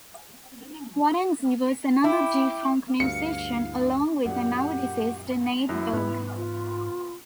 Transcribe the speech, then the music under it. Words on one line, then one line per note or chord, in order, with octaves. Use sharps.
Warren G was another G-funk musician along with the now deceased Nate Dogg.
E4 G5 D6
D2 G2 F5 C#7
F#2 A#2 G4 F#5
F#2 E4
G#2 B3
F4